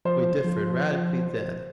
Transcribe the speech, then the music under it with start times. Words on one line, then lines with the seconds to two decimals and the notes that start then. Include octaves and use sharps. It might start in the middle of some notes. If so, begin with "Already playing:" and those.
We differed radically then.
0.05 F3 C5
0.45 F3